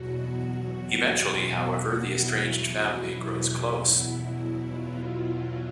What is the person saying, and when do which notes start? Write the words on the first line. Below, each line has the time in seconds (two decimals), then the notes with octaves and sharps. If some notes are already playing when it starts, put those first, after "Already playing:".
Eventually, however, the estranged family grows close.
Already playing: E2 B2 F#3 F#4
0.28 F#4
2.02 E4
2.89 E2 B2 F#3
4.64 F4